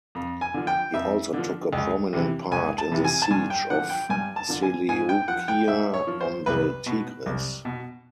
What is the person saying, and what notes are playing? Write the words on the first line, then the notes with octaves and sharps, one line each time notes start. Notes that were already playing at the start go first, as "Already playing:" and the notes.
He also took a prominent part in the siege of Seleucia on the Tigris.
F2
G#5
D3 F3
G5
F2 E5
D3 F3
C#2
C3 E3
C#2 G#5
A5
C3 E3
G#5
A5
G2 G#5
G5
D3 F3 F#5
G5
G2 G#5
A5
D3 F3
G#5
G#2 G#5
G5
F3 F#5
G5
G#2 E5
C#5
F3
C5
C2 B4
B2
C2
B2